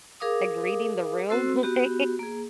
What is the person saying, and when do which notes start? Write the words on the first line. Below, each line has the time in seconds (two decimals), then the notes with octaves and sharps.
like, reading the room, like,
0.20 G#4 A#4 F5 D6 D#6
1.29 C4 F#4 A4 C5 C6 E6
1.63 B3 F#4 G4
2.19 A#3 G#4